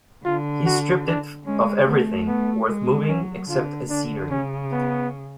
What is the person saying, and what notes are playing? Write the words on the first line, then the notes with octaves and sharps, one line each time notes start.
He stripped it of everything worth moving, except scenery.
D3 F4
F#4
D4
G#3 C#4
A3 B3
B3
G#3
F#3 C#4
D3 F4
D3 D4
C#3 C#4
B3